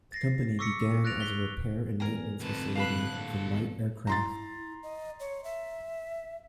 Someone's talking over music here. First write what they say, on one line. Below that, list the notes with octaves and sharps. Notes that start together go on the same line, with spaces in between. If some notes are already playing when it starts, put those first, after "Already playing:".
The company began as a repair and maintenance facility for light aircraft.
A6 A#6 C7
C#6 D6 E6 A#6 B6 C#7
F6 F#6 A6 A#6 D7 F7
B6 G7
E2 A#4 G#5 A#5
F2 A2 D3 B4 A5
B4 F5 A5 B5 F#6
A#1 A4
E2
E4 A#5 C6 A6
D#5
C#5
E5